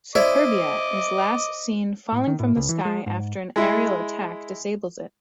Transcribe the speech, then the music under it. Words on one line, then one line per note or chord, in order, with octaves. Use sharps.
Superbia is last seen falling from the sky after an aerial attack disables it.
E4 C5 D5 D#5 D6
A2
D#3
A2
C#2
E3
G#3
G#2
G#3 E4